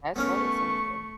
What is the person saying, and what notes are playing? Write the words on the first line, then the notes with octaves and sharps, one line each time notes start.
that's always something.
A3 B3 C#4 A#4 C#6